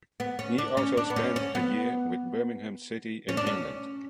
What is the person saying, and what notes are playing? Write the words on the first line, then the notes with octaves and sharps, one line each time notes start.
He also spent a year with Birmingham City in England.
B3
C#4
D4
C#4
D4
B3
C#4
C#4
B3
C#4
D4
C#4